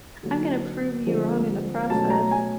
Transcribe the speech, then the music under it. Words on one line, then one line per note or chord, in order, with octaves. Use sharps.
I'm gonna prove you wrong in the process."
D3 F#3 A#3
D3 F3 G#3 C4
B2 F#3 A3 C#4 A5
A#5
G#5